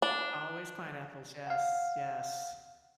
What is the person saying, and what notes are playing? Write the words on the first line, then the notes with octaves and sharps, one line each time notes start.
Always pineapples, yes, yes.
D4
F5 F#5